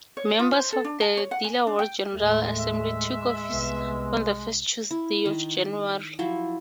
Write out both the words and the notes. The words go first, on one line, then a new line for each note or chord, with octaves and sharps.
Members of the Delaware General Assembly took office on the first Tuesday of January.
C#5
F4
C5
A4
D4
A5
C#5
F#5
G#5
D4
G5
D#2 A2 G#3 A3
E5
C2 B3
E4
D#3
F3 F#3 E4